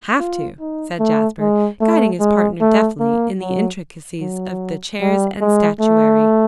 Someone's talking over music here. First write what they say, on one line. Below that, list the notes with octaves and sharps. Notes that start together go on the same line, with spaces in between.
"Have to," said Jasper, guiding his partner deftly in the intricacies of the chairs and statuary.
F4
D#4
A3
G#3
A3
G#3
A3
A#3
F#3
F#3
G3
G#3
A3